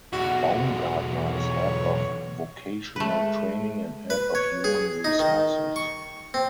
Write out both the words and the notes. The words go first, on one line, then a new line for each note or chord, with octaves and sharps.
Baumgartner is head of vocational training and head of human resources.
B1 E2 F#4
C#5
G#3 A3 B4
B4
C#5
G#4
D#4
D#3
C#6
C4